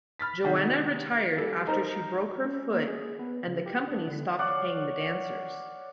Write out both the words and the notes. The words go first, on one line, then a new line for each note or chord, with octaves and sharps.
Joanna retired after she broke her foot and the company stopped paying the dancers.
B5 F6 A6 B6
C3 D#3 F#4 G#4
G3 A4
D#4 A#4 C5
C#4
A#3
G#4
B3
C#3
G4
D4
D3
C#5 D5 F5 F#5